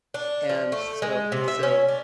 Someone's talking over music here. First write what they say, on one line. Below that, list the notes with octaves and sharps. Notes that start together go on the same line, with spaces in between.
And so so
D4
F3
A3
G#3
C3
E5
C#4
D4